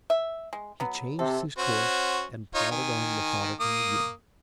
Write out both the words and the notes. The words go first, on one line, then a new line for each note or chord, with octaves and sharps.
He changed his course and plodded on methodically again.
E5
G#3
F#3 B3
C3 A4
C#4 F#4 C5
D#4 F4 C#5
D#3 G#5
A#3 D#6